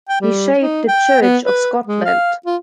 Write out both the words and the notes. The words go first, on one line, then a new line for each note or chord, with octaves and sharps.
He shaped the Church of Scotland.
G5
G3
D#4
G5
B3
B4
G#3
F5
F4